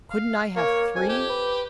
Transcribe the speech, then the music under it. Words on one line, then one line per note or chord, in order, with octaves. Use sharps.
Couldn't I have three?
F5
A#3 C#5
F2 G#5
G4
B4